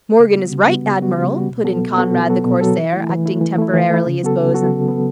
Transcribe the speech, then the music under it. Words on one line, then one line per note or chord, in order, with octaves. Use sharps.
"Morgan is right, admiral!" put in Conrad the corsair, acting temporarily as bo'sun.
C#3
G3 B3 F#4
C#3
G3 B3 F#4
C#3
G3 B3 F#4
C#3
G3 B3 F#4
B2
F#3 B3 F#4 A4
B2
F#3 B3 F#4 A4
B2
F#3 B3 F#4 A4
B2
F#3 B3 F#4 A4
E3
A3 E4
E3
A3 E4
E3
A3 E4
E3
A3 E4
C#3
F#3 B3 F#4 A4
C#3
F#3 B3 F#4 A4
C#3
F#3 B3 F#4 A4